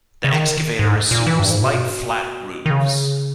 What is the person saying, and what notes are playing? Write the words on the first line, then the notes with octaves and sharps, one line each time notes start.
The excavator assumes light flat roofs.
C#3
D#3
G#2
A#2
E3
G2
G#2
B2
A#2
B2
D#3
C#3